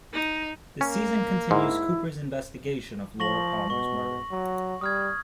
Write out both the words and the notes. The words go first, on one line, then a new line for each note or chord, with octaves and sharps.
The season continues Cooper's investigation of Laura Palmer's murder.
D#4
A#3 C#4
G#2 E4
F3 C#6 A#6 F#7
B2 C#6
F#3
G3 D#6 F6 G#6